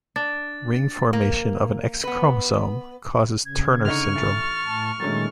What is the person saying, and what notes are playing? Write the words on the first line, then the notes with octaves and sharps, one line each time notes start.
Ring formation of an X-chromosome causes Turner syndrome.
D4 A6
A#3
B3 B4
C#3 G#6
D3 D#4 C#6 F6
A1 A6
A2 A5
A#2 D#3 F#3 G#3 A3 C#4 A6